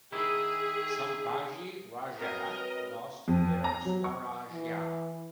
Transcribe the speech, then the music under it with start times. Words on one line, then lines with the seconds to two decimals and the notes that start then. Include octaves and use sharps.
Sambhaji Raje lost their Swarajya.
0.12 D#3 E4 G#4
2.18 F#3 C4 A#4 B4 D#5
3.28 F2
3.64 A#5
3.85 F#3
4.04 C#6
4.52 E3